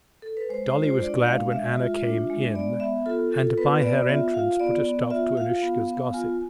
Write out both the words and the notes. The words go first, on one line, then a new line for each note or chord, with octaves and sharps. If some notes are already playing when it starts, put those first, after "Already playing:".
Dolly was glad when Anna came in, and by her entrance put a stop to Annushka's gossip.
A4
B4
G#3 C5
C5
F4
C5
D4 D5
G#3 F5
G#3 E5
F4
D4
G#3
B3 D5
B3 E5
F4 A4
F4 A4
B3 B4
B3 D5
F4 E5
F4 F5
B3 D5
B3
F4 E5
F4 F5
B3
B3
F4 G#5